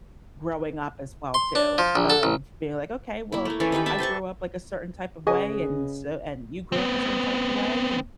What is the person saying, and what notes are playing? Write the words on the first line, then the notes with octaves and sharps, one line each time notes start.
growing up as well too, of being, like, "Okay, well, I grew up, like, a certain type of way, and so and you grew up a certain type of way, and
C6
D4
F3
A#1
A4
A1
A#3 E4
A3 A#3
E3 C#4 A4 A#4
D#3 D#4 G4 B4
E5 A5 B5
B4 C5 A5 C#6
C#3 G#4 B4 D#5 G#5
B3 C4